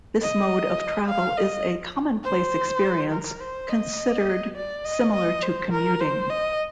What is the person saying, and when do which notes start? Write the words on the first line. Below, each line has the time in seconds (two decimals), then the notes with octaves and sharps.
This mode of travel is a commonplace experience, considered similar to commuting.
0.21 D#5
1.08 F5
1.37 D#5
2.24 C5
3.11 A#4
3.40 C5
3.69 D#5
4.56 D5
4.84 D#5
5.14 D#5
5.43 C5
5.72 A#4
6.01 C5
6.30 D#5